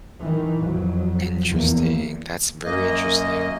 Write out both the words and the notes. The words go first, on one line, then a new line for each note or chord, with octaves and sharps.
Interesting, that's very interesting.
D#3 E3
F2 F#3
E2 A#3
F#2 A#3 D#5